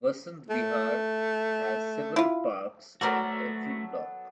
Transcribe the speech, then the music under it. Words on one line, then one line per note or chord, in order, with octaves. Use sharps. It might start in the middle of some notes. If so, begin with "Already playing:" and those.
Vasant Vihar has several parks in every block.
A3
E4 F4
F#3 A3 B3 F#4 A4 A#4 C5 D5